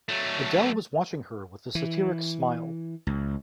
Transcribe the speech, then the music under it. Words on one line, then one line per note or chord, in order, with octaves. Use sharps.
Adele was watching her with a satiric smile.
F#3 A3
E3
C#2